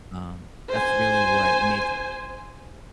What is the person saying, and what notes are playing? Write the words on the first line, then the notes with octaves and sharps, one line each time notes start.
um, that's really what makes
C5 G#5